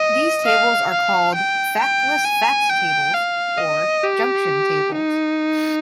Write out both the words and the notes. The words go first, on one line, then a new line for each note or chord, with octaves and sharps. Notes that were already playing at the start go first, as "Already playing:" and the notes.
These tables are called "factless fact tables", or "junction tables".
Already playing: D#5
F5
F5
G5
G5
G#5
G5
F5
D#5
G4
D#4